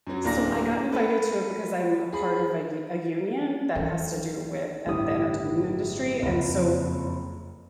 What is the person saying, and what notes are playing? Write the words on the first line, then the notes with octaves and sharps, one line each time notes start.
So I got invited to it because I'm a part of a u a union that has to do with e the entertainment industry and so
F#2 F#3
D1 A#3 D4 A#5 A#6
A4 B4
G#4 B5
E3 F#3 A4 A#4 G5
G1 A2 G3 E4 D#6
F#1 F2